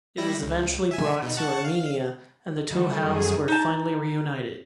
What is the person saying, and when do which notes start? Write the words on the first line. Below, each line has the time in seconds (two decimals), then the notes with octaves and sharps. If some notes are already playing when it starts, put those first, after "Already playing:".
It was eventually brought to Armenia and the two halves were finally reunited.
0.17 G3 E4 A#6
0.42 C#2
0.91 E5 G#5
1.22 B2 D#4
1.37 F#5 A5 C#6
1.65 F5
2.70 D#3 E3 F#3 G3 A3 F#4
3.02 F#2 G#4 A#4 D5 G#5
3.48 D#4 A5